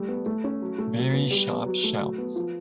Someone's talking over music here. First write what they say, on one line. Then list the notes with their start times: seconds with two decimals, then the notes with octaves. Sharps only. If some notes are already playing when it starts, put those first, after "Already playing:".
Very sharp shouts!
Already playing: G3 A3
0.08 B3
0.26 A3
0.44 C#4
0.61 F#3
0.78 A3
0.96 F#3
1.13 B3
1.31 G3
1.49 B3
1.66 F#3
1.84 A3
2.01 F#3
2.18 B3
2.36 F3